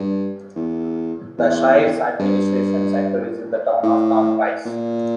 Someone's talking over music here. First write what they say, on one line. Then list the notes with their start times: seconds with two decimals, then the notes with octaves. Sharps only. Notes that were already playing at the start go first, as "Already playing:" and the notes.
The shire's administration centre is in the town of Tom Price.
Already playing: G2
0.56 E2
1.38 E2
2.20 G2
3.83 A2
4.66 A#2